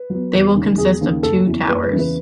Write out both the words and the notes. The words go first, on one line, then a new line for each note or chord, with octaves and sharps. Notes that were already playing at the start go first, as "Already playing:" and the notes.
They will consist of two towers.
Already playing: B4
F#3 B3
E1
D#2 C#3
E1 G#4
D#2 C#3
F#1 A4
E2 C#3 E3
F#1 B4
B4
E2 C#3 E3
B4